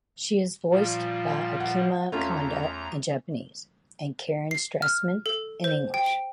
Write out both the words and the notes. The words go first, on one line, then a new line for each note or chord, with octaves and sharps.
She is voiced by Akemi Kanda in Japanese and Karen Strassman in English.
A#2 F3 G3 F4
F#5
E2 A3 C#4 F4 A#5
C7
F6
A4
C5
G5
D7